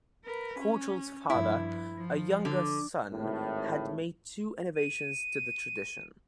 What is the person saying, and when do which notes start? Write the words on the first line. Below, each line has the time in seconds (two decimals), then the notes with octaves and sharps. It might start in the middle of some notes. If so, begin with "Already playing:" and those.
Courtauld's father, a younger son, had made two innovations to the tradition.
0.25 A#4 B4
0.59 C#4
1.30 G2 F3 E4
1.97 F3
2.45 D3
3.11 G#1 A2
4.76 D#7